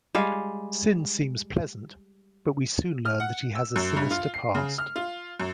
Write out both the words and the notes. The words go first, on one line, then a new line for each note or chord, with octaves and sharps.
Syn seems pleasant but we soon learn that he has a sinister past.
G3 G#3 F5
F6
F#5
E6
F#2
G2
F4
C7
C#3
F6
F4
F#2